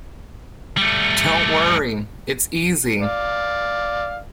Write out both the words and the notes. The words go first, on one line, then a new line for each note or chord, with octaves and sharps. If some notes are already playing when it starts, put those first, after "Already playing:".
Don’t worry, it’s easy.
G3 A3
D5 F5